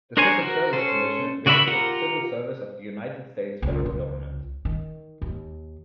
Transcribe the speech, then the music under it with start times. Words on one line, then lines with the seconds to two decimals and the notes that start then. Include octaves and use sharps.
The Civil Service Commission administered the civil service of the United States federal government.
0.17 D4 A#4 C5 C#5 G#5
0.39 F#4 A#4
0.73 C#4 A4 C5
1.46 C#3 F#4 D5 E5 B5
1.68 F4 G4 A#4 F#5 A#5
3.62 C#2
3.86 C#2
4.65 D#3
5.22 D#2